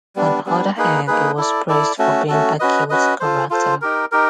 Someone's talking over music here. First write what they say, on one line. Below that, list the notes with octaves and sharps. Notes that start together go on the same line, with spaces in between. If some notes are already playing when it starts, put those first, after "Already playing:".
On other hand, he was praised for being a "cute character".
G3 B3 D4
G3 B3 D4
A#3 D#4 G#4 B4
A#3 D#4 G#4 B4
E4 A4 D5
E4 A4 D5
A3 C#4 F#4 A4
A3 C#4 F#4 A4
C#4 F#4 B4 D#5
C#4 F#4 B4 D#5
F4 A4 C5
F4 A4 C5
D#4 G4 A#4
D#4 G4 A#4